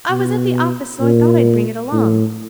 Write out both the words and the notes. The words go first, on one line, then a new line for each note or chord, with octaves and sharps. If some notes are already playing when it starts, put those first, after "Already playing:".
I was at the office, so I thought I'd bring it along.
B2
A#2
A2